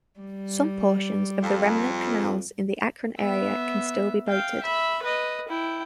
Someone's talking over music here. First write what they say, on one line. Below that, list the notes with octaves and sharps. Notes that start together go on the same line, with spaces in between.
Some portions of the remnant canals in the Akron area can still be boated.
G3
F2
B3 E5
F5 G5
E5 B5
B4 D#5
E4 G5